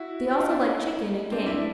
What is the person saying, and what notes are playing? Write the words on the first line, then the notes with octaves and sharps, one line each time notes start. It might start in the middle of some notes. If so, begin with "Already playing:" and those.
They also like chicken and game.
Already playing: E4 F#4
D#4 F4
D4 E4
C#4 D#4
C4 D4
D4 E4